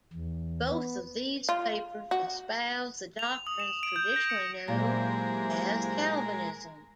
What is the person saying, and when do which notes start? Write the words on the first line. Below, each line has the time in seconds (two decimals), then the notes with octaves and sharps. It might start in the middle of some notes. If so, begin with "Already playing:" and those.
Both of these papers espoused the doctrines traditionally known as Calvinism.
0.13 E2
0.69 B3
1.49 F4
2.11 F#4
3.19 F7
3.47 D#6
3.60 E7
3.83 D7
3.96 G6
4.16 A#6
4.30 C#7
4.68 A#2 F#3 G#3 A#3 E4 G4 A#4 C5